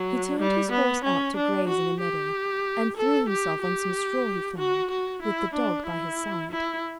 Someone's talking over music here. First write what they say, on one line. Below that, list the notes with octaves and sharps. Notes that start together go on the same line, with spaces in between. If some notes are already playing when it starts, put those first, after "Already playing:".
He turned his horse out to graze in a meadow, and threw himself on some straw he found, with the dog by his side.
Already playing: F#3
G3
B3
C#4
D4
F#4
G4
A4
G4
G4
F#4
F#4
E4
D4
E4
E4